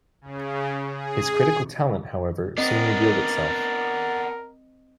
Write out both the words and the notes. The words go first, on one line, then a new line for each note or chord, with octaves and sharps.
His critical talent, however, soon revealed itself.
C#3
G#4
B3 C4 D4 A#4 D#5 A6